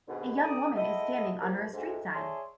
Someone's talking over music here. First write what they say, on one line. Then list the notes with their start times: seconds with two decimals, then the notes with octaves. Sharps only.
A young woman is standing under a street sign.
0.08 D#2 G#2 B2 D3
0.42 D2 D5 A#5 D#6
0.75 G#3 B3 E4 A4 D#5
1.41 F3 G3 A#3
1.73 D2 G#2
2.14 G#4 C#5 D5 E5 A5 C6